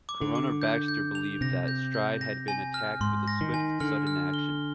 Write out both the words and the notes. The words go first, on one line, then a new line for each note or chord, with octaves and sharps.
Coroner Baxter believed that Stride had been attacked with a swift, sudden action.
D6
D3
D6
G6
G6
F7
C3 A#6
G6
G6
A#6
G#5
F6
G#2 C6
A#6
D#3
G#5
D3 F6
F6
G7